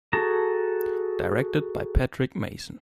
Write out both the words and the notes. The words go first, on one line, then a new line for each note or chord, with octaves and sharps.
Directed by Patrick Mason.
F#4 G#4 A4 A5 A#5